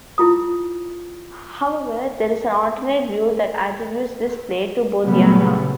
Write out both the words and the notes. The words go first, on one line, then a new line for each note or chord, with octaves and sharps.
However, there is an alternate view that attributes this play to Bodhayana.
E4 F4 D#6
A#2 C#3 F#3 G3 A3 B3